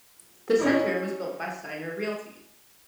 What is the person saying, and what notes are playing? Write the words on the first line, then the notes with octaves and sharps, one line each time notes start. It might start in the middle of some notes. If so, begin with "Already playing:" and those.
The center was built by Steiner Realty.
C#4 D#4 E4